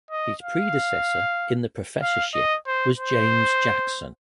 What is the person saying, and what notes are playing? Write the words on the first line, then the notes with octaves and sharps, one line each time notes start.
His predecessor in the professorship was James Jackson.
D#5
F5
F5
D#5
C5
C5